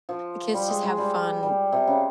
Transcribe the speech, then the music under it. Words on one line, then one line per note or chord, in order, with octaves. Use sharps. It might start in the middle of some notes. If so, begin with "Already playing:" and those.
the kids just have fun
F3
G3
G#3
G#3
G3
G3
C3
C#3